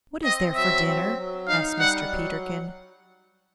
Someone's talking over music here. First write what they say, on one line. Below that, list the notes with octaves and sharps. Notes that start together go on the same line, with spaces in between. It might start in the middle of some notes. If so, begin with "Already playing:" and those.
"What is there for dinner?" asked Mr. Peterkin.
C4 D#5
F#3 E5
C4
F#3
D#4 F5
G3 F#5
F#3